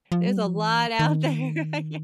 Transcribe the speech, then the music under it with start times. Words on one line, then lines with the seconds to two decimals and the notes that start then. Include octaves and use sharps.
There's a lot out there, yeah.
0.12 F3
0.27 G3
0.36 F#3
0.46 F3
0.55 E3
0.99 D#3